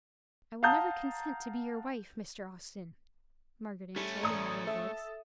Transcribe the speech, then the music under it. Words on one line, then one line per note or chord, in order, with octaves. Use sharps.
"I will never consent to be your wife, Mr. Austin!" Margaret answered, in a low voice.
F5 F#5 A5 A#5 D#6 G6
G3 A3 C#4
A1 D5 A#5 D#6 C#7
A4 E5